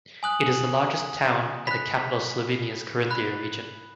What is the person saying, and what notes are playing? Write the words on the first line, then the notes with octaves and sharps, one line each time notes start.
It is the largest town and the capital of Slovenia's Carinthia region.
G#5 D#6 F#6 F#7
B5 F#6 B6
B5 F#6